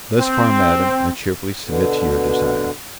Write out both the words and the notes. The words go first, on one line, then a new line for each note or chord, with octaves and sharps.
Thus far, Madam, I cheerfully submit to your desire.
C4
B2 D3